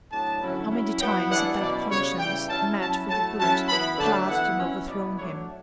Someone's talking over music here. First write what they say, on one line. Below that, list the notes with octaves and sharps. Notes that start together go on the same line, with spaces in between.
How many times had that conscience, mad for the good, clasped and overthrown him!
A2 F#3 B3 D4 A5
D3 F#3 C#4 E4
F#3 C#4 E4
F#3 B3 E4 G5
E3 G3 B3 D4 F#5
B2 F#3 C#4 E4 D5
C#3 G3 B3 C#5
C#3 E3 G3 G5
F#3 C#4 E4 A5
F#3 C#4 E4 A5
F#3 A3 E4 A5
F#3 C#4 E4 A5
E3 B3 E4 B5
D3 F#3 A3 D4 A5
E3 B3 E4 F#5
F#3 C#4 E4
B2 F#3 B3 E4 D5
F#3 A3 D4 C#5